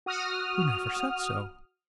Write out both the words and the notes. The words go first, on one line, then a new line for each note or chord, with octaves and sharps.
"You never said so."
F#4 D#6 F6